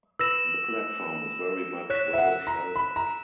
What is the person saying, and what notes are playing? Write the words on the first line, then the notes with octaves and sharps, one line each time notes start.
The platform is very much well sheltered.
B4 E6 A#6 E7
C#5 F#6 B6 E7
E5
F#5
A#5
B5
A#5